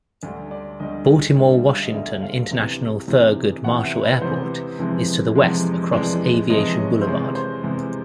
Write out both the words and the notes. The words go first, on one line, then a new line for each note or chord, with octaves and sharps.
Baltimore-Washington International Thurgood Marshall Airport is to the west across Aviation Boulevard.
D2 D3 G3
D5
D2 D3 G3 D#5
D2 D3 G3 E5
F5
D#5
D2 D3 G3 E5
F5
E2 C3 E3
E2 C3 E3
E2 C3 E3 F#5
E5
B4
E2 C3 E3 C5
F2 C3 E3 G#3
F2 C3 E3 G#3
F2 C3 E3 G#3 D5
F2 C3 E3 G#3 D#5
C#5
C5
E2 C3 E3 G#3 C#5
C5
E2 C3 E3 G#3